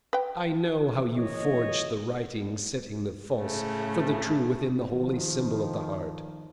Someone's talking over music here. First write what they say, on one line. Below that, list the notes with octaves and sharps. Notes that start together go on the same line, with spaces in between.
I know how you forged the writing, setting the false for the true within the holy symbol of the Heart.
B4 G5
F#1 E3 C#5 D#5
A2 C#3 A3
D#3 F3